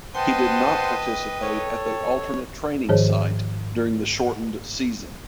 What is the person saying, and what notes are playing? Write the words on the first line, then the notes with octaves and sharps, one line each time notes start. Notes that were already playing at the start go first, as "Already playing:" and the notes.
He did not participate at the alternate training site during the shortened season.
B4 C5 D#5 F#5 G5 A5 C6
A4 C#5
G#2 D#3 F3 G#4 C5 C#5